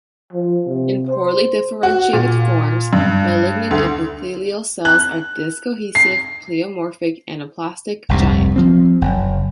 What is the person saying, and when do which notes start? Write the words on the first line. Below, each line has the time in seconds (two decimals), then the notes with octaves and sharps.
In poorly differentiated forms, malignant epithelial cells are discohesive, pleomorphic, anaplastic, giant.
0.33 F3
0.68 C3
1.08 C5
1.83 F#4
2.13 A#2
2.93 G2
3.71 D2
4.85 F#6
5.95 C7
8.09 F1 C2 G2
8.56 F3 C4
9.01 F#1